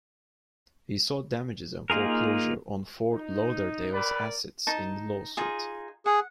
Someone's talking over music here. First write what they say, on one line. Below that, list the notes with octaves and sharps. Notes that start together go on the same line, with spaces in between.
He sought damages and foreclosure on Fort Lauderdale's assets in the lawsuit.
A#3 D#4 F4 G#4 A#4
D#4
D#3 G3 A#4 B4 D5
D#4 A5
D#4 F4 G#4
G#4 F#5